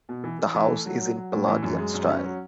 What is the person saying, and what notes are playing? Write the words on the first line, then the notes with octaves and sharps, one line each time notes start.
The house is in Palladian style.
B2
E3
E3
E3
A3
F#3
F#3
F#3
A2
E3
F#2
G#3
F#2
C#4
F#3